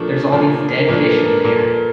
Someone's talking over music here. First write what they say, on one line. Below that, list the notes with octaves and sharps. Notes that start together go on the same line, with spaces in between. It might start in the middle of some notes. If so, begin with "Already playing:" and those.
There's all these dead fish in there.
Already playing: A#2 F3 A3 D4 A#4
A#2 F3 A3 D4
A#4
A#2 F3 A3 D4 B4
A4
A#4
A#4
A#2 A4